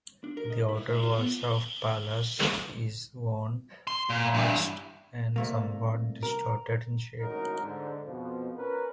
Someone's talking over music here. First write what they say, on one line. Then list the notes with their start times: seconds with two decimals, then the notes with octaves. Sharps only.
The outer wall of Pallas is worn, notched, and somewhat distorted in shape.
0.24 D4
0.37 A#4
0.50 D#5
0.69 E4
0.88 A3
1.03 F4
1.18 B3
3.87 C6
4.10 A#2
4.34 G2 E3
5.36 C2 A3 A#3
6.23 A#4
7.20 G#1 F#2 A2 F#3 D#4 A#4
7.59 G#2 D3
8.06 F2 B2 F3
8.56 C#4 A#4 B4